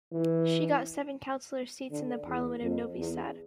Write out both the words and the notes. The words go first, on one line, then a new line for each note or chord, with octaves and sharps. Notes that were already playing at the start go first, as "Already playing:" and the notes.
She got seven councillor seats in the Parliament of Novi Sad.
E3
D3
E2
F2
E2